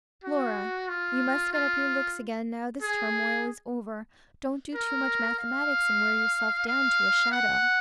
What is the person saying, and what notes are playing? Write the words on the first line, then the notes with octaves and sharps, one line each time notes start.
'Laura, you must get up your looks again, now this turmoil is over. Don't do too much mathematics, and wear yourself down to a shadow.'
F#4
F4
F4
G#4
A#4
F5
F5
F#5